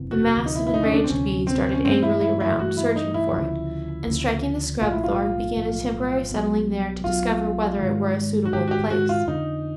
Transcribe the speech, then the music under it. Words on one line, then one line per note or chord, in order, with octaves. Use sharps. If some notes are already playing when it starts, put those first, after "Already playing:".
The mass of enraged bees darted angrily around, searching for it, and striking the scrub-thorn, began a temporary settling there to discover whether it were a suitable place.
Already playing: F#1 E2 C3 E3
F#4
D2 C3 F3
D#4
E4
E4
D#4
C#4
D4
C4
D2 C3 F3 C#4
C4
C#4
G2 E3 A3 C4
E4
E4
E4
G2 E3 A3 F#4
E4
D#4
E4
D2 C#3 F3
D2 C#3 F3
B1 A2 F3 F4
E4
F4
B1 A2 F3
B1 B2 F#3
B1 B2 F#3 F4
G#2 D#3 G#3
F#4
G#2 D#3 G#3 G4
F#4
G4
F#4
F4
F2 D3 F3 D#4